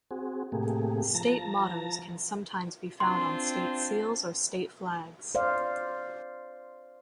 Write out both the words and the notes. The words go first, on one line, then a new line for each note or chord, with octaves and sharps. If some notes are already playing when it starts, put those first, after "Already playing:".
State mottos can sometimes be found on state seals or state flags.
C4 F#4 G#4
A2 C3 A3 A#3 G4 G#4
F3 A5 A#5 A#6
C4 D4 F4 C6
C5 D5 F5